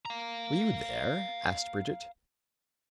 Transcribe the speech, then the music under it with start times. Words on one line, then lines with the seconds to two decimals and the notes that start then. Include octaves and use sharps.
"Were you there?" asked Brigitte.
0.05 F5 A#5